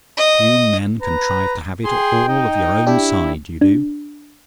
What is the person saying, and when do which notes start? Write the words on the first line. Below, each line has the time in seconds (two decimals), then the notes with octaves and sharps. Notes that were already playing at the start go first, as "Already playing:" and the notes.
You men contrive to have it all of your own side, you do.
0.17 D#5
1.02 B4 A#5
1.85 G#4 G5 C6
2.28 D#4 D#5
2.87 D4 E4 G4
3.61 D4